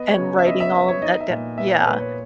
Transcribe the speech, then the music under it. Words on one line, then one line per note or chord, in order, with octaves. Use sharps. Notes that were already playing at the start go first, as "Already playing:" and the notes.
and writing all of that d Yeah.
Already playing: B3 D#5
C#5
C#3
E5
B3 D#5
E5
B3 E5
C#5
D#4 D#5
E5
A#2
B3 E5
C#5
A#2 B4
C#5